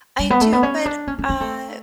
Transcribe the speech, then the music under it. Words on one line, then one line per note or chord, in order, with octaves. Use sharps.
I do, but, uh,
G3
B3
A3
B3
C#4
D4
C#4
C#4
C#4
A3